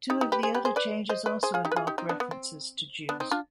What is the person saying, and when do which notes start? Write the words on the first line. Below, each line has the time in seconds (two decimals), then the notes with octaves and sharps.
Two of the other changes also involved references to Jews.
0.10 D#4 G4
0.21 D#4 G4
0.32 G4 B4
0.43 G#4 C5
0.54 G4 B4
0.65 G#4 C5
0.76 B4 D5
1.09 C5 D#5
1.26 B4 D5
1.43 G#4 C5
1.54 F4 G#4
1.65 D#4 G4
1.72 B4
1.76 F4 G#4
1.87 D#4 G4
1.98 C4 D#4
2.09 B3 D4
2.20 B3
2.31 C4
3.09 B3 D4
3.20 C4 D#4
3.31 D4 F4